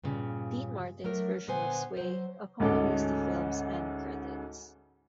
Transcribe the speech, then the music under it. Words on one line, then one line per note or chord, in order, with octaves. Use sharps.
Dean Martin's version of "Sway" accompanies the film's end credits.
G2 A#2 C#3
F#3 A3 D4 A#4
A#2 D3 B3 C5 G#5
F#3 C5
D2 G#2 G#3 C#4 A4 D6